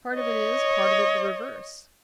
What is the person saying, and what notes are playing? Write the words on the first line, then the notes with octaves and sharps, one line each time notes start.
"Part of it is, part of it the reverse."
C#5 D#5